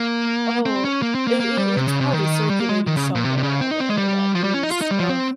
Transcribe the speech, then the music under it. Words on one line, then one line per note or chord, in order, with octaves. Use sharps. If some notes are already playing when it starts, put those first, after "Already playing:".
Oh, i it well, it's probably circulating somewhere on the internet, it was, ugh,
Already playing: A#3
C4
C#4
A#3
C4
A#3
A#3
G3
C3
C#3
C3
D#3
G3
A#3
G#3
D#3
C#3
A#2
C3
C3
C#3
C4
D#4
C4
G#3
G3
F3
G3
C#4
D#4
F4
D#4
G3
F3
C4